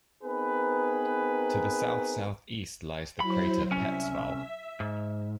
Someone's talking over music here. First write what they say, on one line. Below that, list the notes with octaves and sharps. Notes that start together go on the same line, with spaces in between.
To the south-southeast lies the crater Petzval.
B3 C4 D#4 G#4 A#4 B4
F#3 E4 C5 B5
C2 C#4 E5
G#2